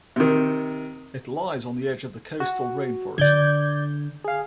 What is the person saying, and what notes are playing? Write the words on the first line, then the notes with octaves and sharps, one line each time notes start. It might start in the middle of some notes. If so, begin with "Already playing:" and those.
It lies on the edge of the coastal rainforest.
C3 D#3
F#4
D3 D5 G6 G#6
G#4 F5